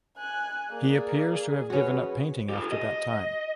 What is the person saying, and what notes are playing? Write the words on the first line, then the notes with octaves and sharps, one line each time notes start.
He appears to have given up painting after that time.
G#5 F#6
A#3 G#4 D5
C#4 F#4 B4
G4 A4
D#5